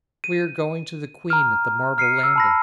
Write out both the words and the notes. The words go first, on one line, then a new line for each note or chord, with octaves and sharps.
We are going to the queen at the marble landing.
D#7
A#5 F6
F6 C7 C#7 D#7
E6
A5 B5 A#6